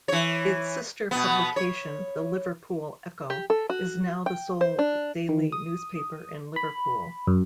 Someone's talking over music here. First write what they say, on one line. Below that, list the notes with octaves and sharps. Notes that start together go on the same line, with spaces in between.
Its sister publication, the "Liverpool Echo", is now the sole daily newspaper in Liverpool.
E3 C#5
B2 B3
C#5
G4
A4
F#4
G5
C5
D4
D#3
D#6
B5
F#2